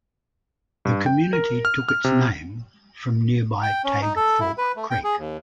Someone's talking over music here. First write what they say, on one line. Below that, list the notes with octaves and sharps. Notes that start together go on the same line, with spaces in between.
The community took its name from nearby Tague Fork creek.
G2
G5
A#4
F6
F6
C3
G5
C#4
D#4
A4
E4
B4
A3
G5
G#4
D#2